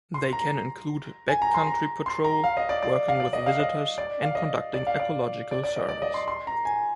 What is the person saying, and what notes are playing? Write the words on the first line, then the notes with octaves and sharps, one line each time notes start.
They can include backcountry patrol, working with visitors, and conducting ecological surveys.
C6
A#5
G#5
A#5
C6
A#5
C6
A#5
F5
D#5
D5
D5
F5
D5
D#5
F5
D#5
D5
F5
D#5
D5
F5
D5
D5
D5
D#5
D5
D#5
C6
C6
A#5
G#5